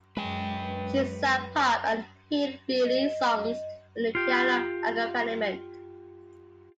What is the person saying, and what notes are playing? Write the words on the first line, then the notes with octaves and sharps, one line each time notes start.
She sang pop and "hillbilly" songs with a piano accompaniment.
F#2 G#3 B4 G5
D#5
F4 G4